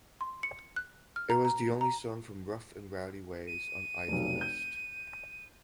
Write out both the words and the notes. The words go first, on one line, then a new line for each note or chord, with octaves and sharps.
It was the only song from "Rough and Rowdy Ways" on either list.
C6
C#7
F#6
F6
A#5
A#5
A#5
D#7
F1 B1
G6